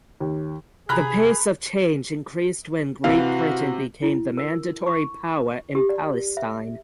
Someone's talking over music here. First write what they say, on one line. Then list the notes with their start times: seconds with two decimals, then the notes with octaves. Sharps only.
The pace of change increased when Great Britain became the Mandatory power in Palestine.
0.20 D#2
0.89 C3 G#4 A#5 B5 F#6
3.04 C3 E3 F#4 F5
4.02 E4
4.37 A#4
4.86 C#6
5.75 G4
5.89 D5
6.37 E5